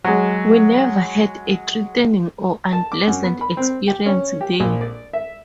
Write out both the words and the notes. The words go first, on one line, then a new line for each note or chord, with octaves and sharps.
We never had a threatening or unpleasant experience there.
F#3 G#3
A5
D6
F#2
B3
B5
C4
G4
C#4
G4
A#1
D5
E5